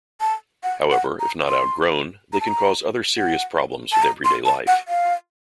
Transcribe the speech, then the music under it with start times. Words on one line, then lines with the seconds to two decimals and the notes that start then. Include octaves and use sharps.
However, if not outgrown, they can cause other serious problems with everyday life.
0.21 A5
0.63 F#5
0.92 F#5
1.20 A#5
1.48 C6
2.33 A#5
2.40 A5
2.48 A#5
3.18 F#5
3.92 A5
4.03 A#5
4.25 C6
4.45 A5
4.67 F#5
4.88 F5